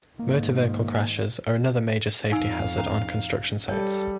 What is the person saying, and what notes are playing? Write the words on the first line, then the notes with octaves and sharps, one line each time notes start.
Motor vehicle crashes are another major safety hazard on construction sites.
G#2 D#3 A#3
F2 D#4 F5 G#5 E6
C#4 A#5
G3 A4 C#5